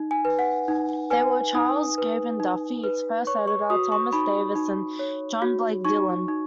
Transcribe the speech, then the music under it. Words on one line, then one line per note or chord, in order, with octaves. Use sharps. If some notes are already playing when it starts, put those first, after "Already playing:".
They were Charles Gavan Duffy, its first editor; Thomas Davis, and John Blake Dillon.
Already playing: D#4
G#5
B4
F#5
D#4
B4 G#5
D#4 D#6
B4
D#4
B4
C#5 C#6
C#6
F#4 D#6
C#6
D#4 B5
D#4
C#5
F#4
D#4 C#6
D#4